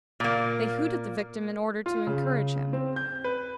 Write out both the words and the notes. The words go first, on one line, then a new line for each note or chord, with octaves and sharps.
They hoot at the victim in order to encourage him.
A#2 A#3
F4
C#3
C4
G6
B4